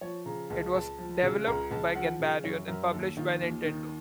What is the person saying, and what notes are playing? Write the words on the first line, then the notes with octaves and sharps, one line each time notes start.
It was developed by Ganbarion and published by Nintendo.
F3 C#5
C#3 A#5
C#2 A5
C#2 A5
F3
C#3
C#2 A#5
C#2 A5
F3 F#5
C#3
F#2 C#5
F#2 A#4
D#2 A4
D#3 F4
D#2
D#3